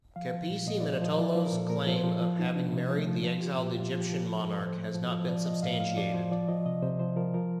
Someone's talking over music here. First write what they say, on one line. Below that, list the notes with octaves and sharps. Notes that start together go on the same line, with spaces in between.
Capece Minutolo's claim of having married the exiled Egyptian monarch has not been substantiated.
F3 F5
F3
A#2
A#2 D#5
F3 D5
C5
F3 D#5
F3 D5
F3 C5
A#4
A#2 A4
A#2 A#4
F3
C5
F3
F3
F3 D#4
C3 D4
C3
F3
A3
F3
F3 F4
F3 G4
A#2 G4
A#2 F4
F3
G4
F3
F3 A4
F3 A4
A2 C5
A2
F3
F3
F3 D5
F3 D#5
A2 F5
A2 F5
F3 D5
F3 C5
F3 D5
F3 D#5
C3 D#5
C3 C5
F3 C5
F3 A#4
F3 A#4